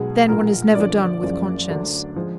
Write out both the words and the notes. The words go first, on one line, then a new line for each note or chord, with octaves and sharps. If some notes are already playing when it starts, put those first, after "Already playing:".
Then, one is never done with conscience.
Already playing: B1 B2 G#3 G#4
A#1 A#2 G#3 A#4
F#1 F#2 D3 F3 D5
F#1 F#2 F3 G#3
D2 D3 F#3 D4
F3 G#3